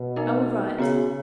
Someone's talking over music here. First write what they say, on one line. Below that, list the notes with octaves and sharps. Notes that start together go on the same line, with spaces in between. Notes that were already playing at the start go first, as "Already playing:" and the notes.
I will write.
Already playing: B2
B3 D#4 A#4
C#3 B3 F#4 C#5